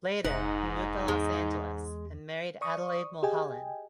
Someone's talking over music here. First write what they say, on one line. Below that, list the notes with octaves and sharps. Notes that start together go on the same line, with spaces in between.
Later, he moved to Los Angeles and married Adelaide Mulholland.
F1 G#2 D#4 F#5
E2 G#3
D5 C#6 D#6
G4 G#4 D#5 G5 G#5